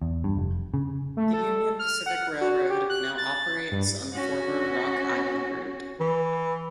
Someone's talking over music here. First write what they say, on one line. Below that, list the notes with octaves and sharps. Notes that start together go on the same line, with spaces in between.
The Union Pacific Railroad now operates on the former Rock Island route.
E2
G2
F1
C#3
A3
A4
F6
F#5
F#4
G4
F#6
A6
G2
C#4 F#4
E3